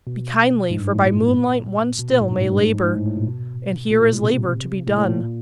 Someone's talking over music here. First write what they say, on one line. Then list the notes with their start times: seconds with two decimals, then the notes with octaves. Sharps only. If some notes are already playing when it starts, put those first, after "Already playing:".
Be kindly, for by moonlight one still may labor, and here is labor to be done.
0.07 B2
0.71 G#2
0.79 G2
0.87 G#2
0.95 A2
1.03 A#2
1.99 B2
2.09 A#2
2.20 G#2
2.31 G2
2.42 G#2
2.52 G2
2.63 G#2
2.73 G#2
2.84 G#2
2.95 A2
3.05 A2
3.16 A#2
3.27 B2
3.91 A#2
4.01 A2
4.12 B2
4.23 C3
4.87 A2
4.98 A2
5.09 A#2